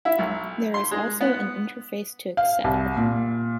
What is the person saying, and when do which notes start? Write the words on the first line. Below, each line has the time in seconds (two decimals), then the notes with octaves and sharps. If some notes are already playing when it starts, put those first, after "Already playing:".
There is also an interface to Excel.
0.05 E4
0.19 B1
0.74 C6
0.91 G#3
1.21 B3
2.37 F5
2.64 C2
2.97 A#2